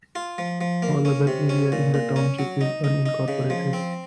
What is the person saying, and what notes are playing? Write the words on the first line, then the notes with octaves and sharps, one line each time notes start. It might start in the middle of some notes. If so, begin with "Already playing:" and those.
All other area in the township is unincorporated.
F4
F3
F3
A#3
C#4
C3
C#4
A#2
A#2
C#4
F#3
D#4
D#4
D#4
C#3
F3
C4